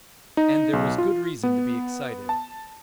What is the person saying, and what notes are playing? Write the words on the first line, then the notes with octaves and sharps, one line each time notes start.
And there was good reason to be excited!
D#4
B1
F4
B3
A5